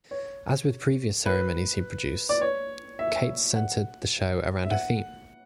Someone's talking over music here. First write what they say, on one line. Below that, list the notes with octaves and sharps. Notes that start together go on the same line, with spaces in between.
As with previous ceremonies he produced, Cates centered the show around a theme.
C#5
B4
D5
C#5
E5
F#5
E5
F#5